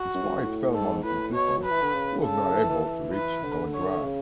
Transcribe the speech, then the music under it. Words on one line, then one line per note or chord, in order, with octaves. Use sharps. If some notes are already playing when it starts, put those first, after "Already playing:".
Despite Felman's insistence, he was not able to reach Belgrade.
Already playing: F#4
F#2
G#2
F#2
A2
G#2 A4
A2 B4
B2 C#5
F#3
B4
E3
D3
C#3
A4
E3
E3
E3
B4
D3
C#5
C#3